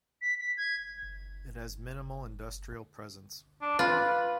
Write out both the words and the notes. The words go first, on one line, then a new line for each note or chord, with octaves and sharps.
It has minimal industrial presence.
B6
B6
G#6
D4
F4 B4